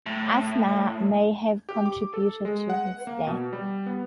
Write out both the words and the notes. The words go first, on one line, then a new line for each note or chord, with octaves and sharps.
Asthma may have contributed to his death.
A2
G4
D6
A4
G#3
F#5
A#3
B2
G3
B3